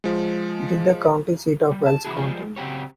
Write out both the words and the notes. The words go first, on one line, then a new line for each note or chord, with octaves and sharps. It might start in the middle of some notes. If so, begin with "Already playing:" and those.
It is the county seat of Wells County.
F3 G#3
G3
A5
C#3 E3 C4 E4 F#4 G#4
F3 G3 G#3
C#3 F#3 C4 G4 C#5